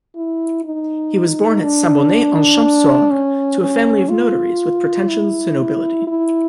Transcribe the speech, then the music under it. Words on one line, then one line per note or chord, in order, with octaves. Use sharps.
He was born at Saint-Bonnet-en-Champsaur, to a family of notaries with pretensions to nobility.
E4
D#4
D4
C#4
C#4
F4
E4
E4